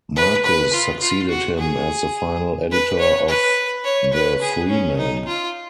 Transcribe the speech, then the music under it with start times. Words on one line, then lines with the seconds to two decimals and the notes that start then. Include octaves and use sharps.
Marcus succeeded him as the final editor of "The" "Freeman".
0.16 B4
0.44 B4
0.73 F4
1.01 F4
1.29 F#4
1.58 G#4
2.72 B4
3.00 C#5
3.28 B4
3.85 C#5
4.13 B4
4.41 G#4
4.70 C#4
4.98 D#4
5.27 F4